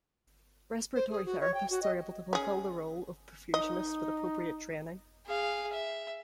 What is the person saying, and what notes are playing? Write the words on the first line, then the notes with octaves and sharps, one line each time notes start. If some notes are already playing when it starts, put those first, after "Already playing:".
Respiratory Therapists are able to fulfill the role of Perfusionist with appropriate training.
C5
G#4
F#4
C#5
G5
F#4
D#5
C#4 G#4
D#4 D#5
G#4 F5
E5